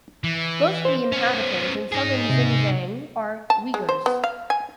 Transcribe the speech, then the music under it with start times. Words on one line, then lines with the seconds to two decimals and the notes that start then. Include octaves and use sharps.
Most of the inhabitants in Southern Xinjiang are Uyghurs.
0.24 E3
0.85 C5
1.12 B3 C#4
1.92 D#4 G#4
2.30 C3
3.50 A5
3.74 G#3
3.89 C5
4.06 B3
4.24 F5
4.50 G#5